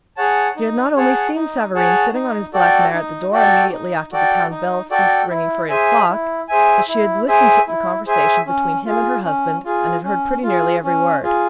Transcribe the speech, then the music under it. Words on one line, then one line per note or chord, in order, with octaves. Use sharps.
She had not only seen Savareen sitting on his black mare at the door, immediately after the town bell ceased ringing for eight o'clock; but she had listened to the conversation between him and her husband, and had heard pretty nearly every word.
G#4 C#5 F#5 A5
D#4
G#4 C#5 F#5 A5
D#4
G#4 C#5 F#5 A5
D#4
F#4 A4 D5 G5
D#4
F#4 A4 D5 G5
D#4
F#4 A4 D5 G5
D#4
F#4 A4 D5 G5
E4
G#4 C5 E5 G#5
E4
G#4 C5 E5 G#5
E4
G#4 C5 E5 G#5
E4
G#4 C5 E5 G#5
C#4
F4 G#4
C#4
F4 G#4
C#4
F4 G#4
C#4
F4 G#4